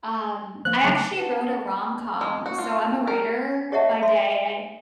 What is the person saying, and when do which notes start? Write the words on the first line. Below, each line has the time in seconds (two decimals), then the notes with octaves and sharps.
Um, I actually wrote a rom-com. So, I'm a writer by day, I
0.65 F3 A#3 F#6
0.84 C#3 F#3 A3
1.17 B4 F#5 A5
2.21 G#3
2.46 F#4
2.58 F4
3.07 A#4
3.72 G4 C#5 D#5 E5 F#5 A5
4.03 E5 C6